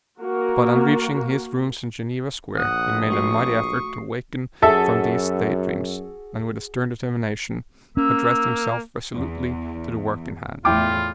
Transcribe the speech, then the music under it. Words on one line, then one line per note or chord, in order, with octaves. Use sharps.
But on reaching his rooms in Geneva Square he made a mighty effort to waken from these day dreams, and with a stern determination addressed himself resolutely to the work in hand.
A#3 F#4 A#4
A#1 F#5 D#6
A3 F#4 C#6 C7
F#2 F#4 G#4 A4 E5
A#3 C#4 E6
E2
E2 A2 E4 F4 G5 D6